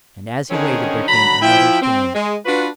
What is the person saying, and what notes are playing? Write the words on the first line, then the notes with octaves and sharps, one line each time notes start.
And as he waited, there came another storm.
D3 D#3 C4 C#4 D#4 G#4
D3 F#3 A#5 B5
F3 E4 G5
C4
G#3
D4 F4 F#4 B4